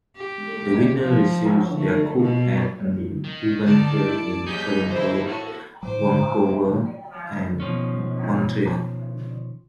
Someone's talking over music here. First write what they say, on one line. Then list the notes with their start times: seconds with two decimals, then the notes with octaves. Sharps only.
The winners received their Cubes at events held in Toronto, Vancouver, and Montreal.
0.17 G4
1.00 F3
1.76 A3
2.20 B2
3.24 D#3
3.67 D3 D5 A5
4.08 E4
4.47 A#3 D#4 G4 G#4 G6 B6
4.90 E4 C5
5.27 E4 F#4 A4
5.83 A2 F#3 C5 D6
7.60 B2 D#3 F3 C#4